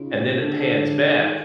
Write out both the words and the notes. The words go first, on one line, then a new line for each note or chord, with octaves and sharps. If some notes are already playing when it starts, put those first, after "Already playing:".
and then it pans back,
Already playing: C#3 D#4 F4
G4
D3 A4
G#4
A4
D#3